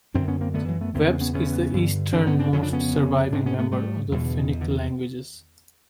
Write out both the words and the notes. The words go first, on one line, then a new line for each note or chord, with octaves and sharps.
Veps is the easternmost surviving member of the Finnic languages.
F#2 D3 C4 D4
B3 C#4
A#3 C4
F#2 D3 A3 B3
E3 F#3
A3 B3
E2 C#3 A#3 C4
B3 C#4
B3 C#4
E2 C#3 B3 C#4
G2 D3
G2 D3 C4 D4
B3 C#4
C4 D4
F2 C#3 C#4
D4
B3 C#4
F2 C#3
G#2 C4 D4
B3 C#4
A3 B3
G#2 G3 A3
E2 B2 F#3 G#3
D3
D#3
E2 B2
D3
D#3